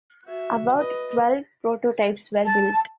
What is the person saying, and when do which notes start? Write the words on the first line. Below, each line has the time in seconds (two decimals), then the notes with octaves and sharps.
About twelve prototypes were built.
0.25 F#4 E5
0.76 B4 D#5
2.45 A5